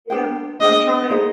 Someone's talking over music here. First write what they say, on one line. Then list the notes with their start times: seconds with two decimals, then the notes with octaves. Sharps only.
Yep, I'm trying.
0.10 D4 G#4 C5 G5
0.60 D4 G#4 C5 D#5 G5
1.10 D#4 G#4 C5 D#5